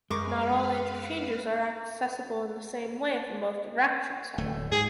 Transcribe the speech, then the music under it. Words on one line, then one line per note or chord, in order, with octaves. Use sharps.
Not all interchanges are accessible in the same way from both directions, however.
F#2 G#3 A#4 B4 F5 C#6 D6
D1 A3
G#2 G#4